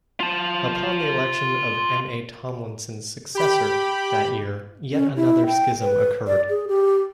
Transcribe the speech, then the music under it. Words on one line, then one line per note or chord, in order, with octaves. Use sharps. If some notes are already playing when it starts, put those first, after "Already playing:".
Upon the election of M. A. Tomlinson's successor that year, yet another schism occurred.
F4 A5
G4 G5 B5
C#4
E4
G5
B4
D5
G#4
G4